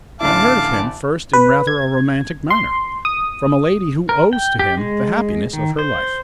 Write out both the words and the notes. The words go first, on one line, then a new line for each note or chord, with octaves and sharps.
I heard of him first in rather a romantic manner, from a lady who owes to him the happiness of her life.
A1 D3 E4 F5 A5 D6
B4
G#6
C6
D#6
A#4
G5
G4
G#3
D#3
C5